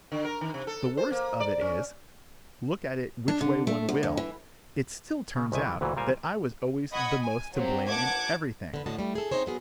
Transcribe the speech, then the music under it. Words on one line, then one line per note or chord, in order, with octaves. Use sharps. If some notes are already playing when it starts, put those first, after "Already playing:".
The worst of it is, look at it which way one will, it still turns out that I was always the most to blame in everything.
D3
A#4
D#3
C3
A4
C5
A#3
D5
C#4
D4
D3
A3
D2
D2
E3
C#3
C2 G#2 D#3 E4 G#5
E3 G3
D2 A#2 E3 F#3
A#2 G3 G#3 A#4 C5 G#5
D#5 F#5 B5 C#6 D#6 G#6
G#5
F#3 A#3 C4 G4
A1 F#5 A5 D6 G#6
D3 B4
A2 D3 F#4 D#5 A5
G3 A3
G#4 A4
C4 C#4 D#4 G#4 C5 C#5
F#3 B3 G#4 A#4